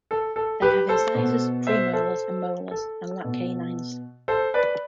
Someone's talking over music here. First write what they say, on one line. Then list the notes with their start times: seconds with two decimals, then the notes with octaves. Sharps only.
They have incisors, premolars and molars, and lack canines.
0.11 A4
0.36 A4
0.62 G4 B4
0.88 A4 C5
1.15 B2
1.67 C5 E5
1.93 A4 C5
2.71 A4
3.24 B2
4.28 A4 C5
4.54 B4 D5